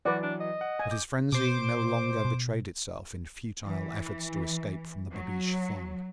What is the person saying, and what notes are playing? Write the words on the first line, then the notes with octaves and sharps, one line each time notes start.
But his frenzy no longer betrayed itself in futile efforts to escape from the babeesh thong.
E3 F#3 F#4 B4 D5
D4
D#5
F#5
G#5
D6 G6
B2 C5 D6
B2
E3
F#3